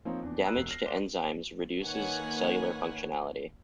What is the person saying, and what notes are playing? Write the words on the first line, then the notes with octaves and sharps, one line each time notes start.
Damage to enzymes reduces cellular functionality.
F3 A#3 C4 D#4 C#5
E2 D4
A#5 B5 E6 F#6
E1 C7
F6 A#6 C7
D5 C6 G7
D#3 A#3 B4 C#5 F#5 G#5